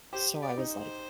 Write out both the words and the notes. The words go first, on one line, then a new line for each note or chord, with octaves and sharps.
so I was, like,
G4 C5
D5
D#4
C5